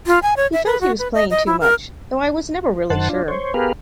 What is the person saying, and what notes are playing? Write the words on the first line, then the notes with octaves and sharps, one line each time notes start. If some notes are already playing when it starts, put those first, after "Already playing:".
He felt he was playing too much, though I was never really sure.
F4
G#5
C#5
E5
B4
F#4
B4
D#5
D#5
E4
A#4
F#2 D#3 C5 F#5 A5
D4 F4
C5 C#5
B3 G4 G#4 A#4 B4 F5